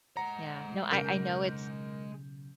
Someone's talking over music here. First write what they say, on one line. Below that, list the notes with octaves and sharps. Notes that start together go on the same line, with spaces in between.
Yeah. No, I I know it's
G#3 F#5 A#5
B1 C#3 A#4 G6 D7